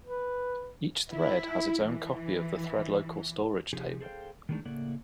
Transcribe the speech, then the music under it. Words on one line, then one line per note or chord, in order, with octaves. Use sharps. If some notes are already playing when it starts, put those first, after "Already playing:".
Each thread has its own copy of the thread-local storage table.
B4
E4
E3
C3 F3 D#4 G4 G#4 G#5
G#4 A4 C5 C#5 F5 G5
D#3 E3 G#3 A3 D4 D#4
A2 C#3 A3 A#3 D5 F#5